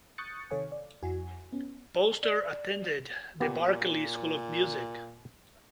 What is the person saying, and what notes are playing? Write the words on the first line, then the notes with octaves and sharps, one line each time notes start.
Poster attended the Berklee School of Music.
C#6 D#6 F#6 G6 A6 C#7
C3 D#3 A4 C#5 F5 G#5
D5
F2 E4 F#4 G#5
B3 C#4
D5
A#2 B3 G4